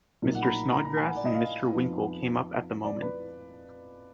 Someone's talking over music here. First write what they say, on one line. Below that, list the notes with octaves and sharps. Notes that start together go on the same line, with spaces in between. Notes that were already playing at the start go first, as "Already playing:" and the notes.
Mr. Snodgrass and Mr. Winkle came up at the moment.
A#1 A#2 F#3 A#3 D#4
F#5
B5
A#5
A#5
A#5
G#5
F#5
D5
D#5
F5
F2 F3 B3 D#4
D5
B4